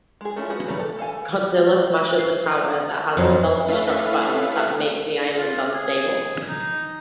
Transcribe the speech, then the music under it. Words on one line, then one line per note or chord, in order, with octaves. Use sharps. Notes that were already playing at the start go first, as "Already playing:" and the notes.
Godzilla smashes a tower that has a self-destruct button that makes the island unstable.
G#3 G#4
A3 C#4 E4 F4
D4 F#4 G#4 B4
F#3 G3 A3 B4
A4
A4 F5 G#5
F5
F2 F3 F#3 C#4
A3 C#4 E4 A4 B4 F5
F4
G#4
D#4